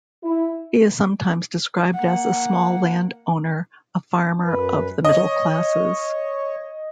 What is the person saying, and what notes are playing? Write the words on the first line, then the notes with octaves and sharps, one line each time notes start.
He is sometimes described as a small landowner, a farmer of the middle classes.
E4
A#3 F#5
F#2 B4
C#5 D#5